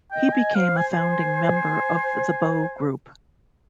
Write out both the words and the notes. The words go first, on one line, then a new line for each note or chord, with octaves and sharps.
He became a founding member of the Bow Group.
D#5 G5
G#5
C5 F5
G#5
G#5